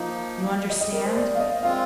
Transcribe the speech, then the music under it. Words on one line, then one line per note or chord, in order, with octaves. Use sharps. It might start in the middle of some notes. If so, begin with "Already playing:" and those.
You understand?
Already playing: F3 A#3 D#4 F4
D#5
D#5
A#4
C5
D5
F5
D#5
G#3 C4 F4 F5